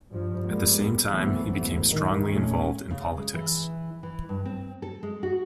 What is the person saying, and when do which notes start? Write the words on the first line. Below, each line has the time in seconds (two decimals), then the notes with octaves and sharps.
At the same time, he became strongly involved in politics.
0.10 G2 F3
0.45 G2 G3 G#3 A#3 B3
1.07 B1 F#2 C3 E3 A3 B3
1.58 G#1 D2
1.91 A2 D#3
2.27 A#2 G#3 A3 C#4
2.90 C#3
3.18 G#3
3.34 E3
4.03 E3
4.29 G2
4.45 C4
4.82 A4
5.03 G#3
5.23 F#4